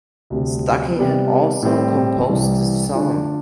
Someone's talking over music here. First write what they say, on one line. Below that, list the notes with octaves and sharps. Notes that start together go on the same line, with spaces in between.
Stuckey had also composed the song.
D2 C3 G3
C3 G3 B3
A2 G3 C4
C2 C3 E3 G3
D3 A3 D4 F4